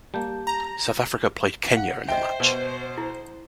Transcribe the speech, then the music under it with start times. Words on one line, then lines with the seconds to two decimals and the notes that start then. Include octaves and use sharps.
South Africa played Kenya in the match.
0.14 G3 A#3 G4 A5 G6
0.47 A#5
1.77 F5 F#5
2.09 C5 D#5 E5 G5
2.40 B2
2.98 E4